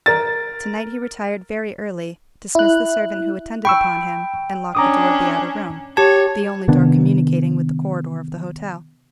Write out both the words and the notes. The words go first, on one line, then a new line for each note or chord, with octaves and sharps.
To-night he retired very early, dismissed the servant who attended upon him, and locked the door of the outer room, the only door communicating with the corridor of the hotel.
A#4 A6
E4 F#6
G5 B5 C#6 E6
C#4 D4 A#5 D6 D#6
G4 C#5 A5 G#6
C3 D#3 B3 D4